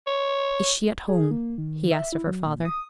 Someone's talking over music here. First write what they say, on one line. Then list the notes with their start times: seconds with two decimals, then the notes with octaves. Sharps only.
Is she at home?' he asked of her father.
0.07 C#5
1.08 G#4
1.31 A#3
1.58 D#3
1.91 E5
2.12 E4
2.27 F#3
2.46 A#2
2.65 D#6